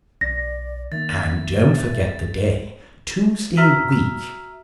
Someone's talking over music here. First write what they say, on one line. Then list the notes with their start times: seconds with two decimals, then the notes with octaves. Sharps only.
And don't forget the day, Tuesday week.
0.21 B1 D5 A#6
0.92 D#3 A#3 E5 A6
3.57 F#4 E5 A#5 E6 F6 B6